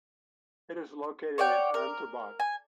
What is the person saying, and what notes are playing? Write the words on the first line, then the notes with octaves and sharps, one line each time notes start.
It is located in Unterbach.
C#5 D5 F#5 G5
A#4
G#5